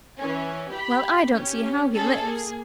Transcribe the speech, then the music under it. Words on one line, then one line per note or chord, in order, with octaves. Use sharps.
"Well, I don't see how he lives!"
E3 C#4
G4 B5
C#4 G4
C#4 G#4 A4
A#3 G#4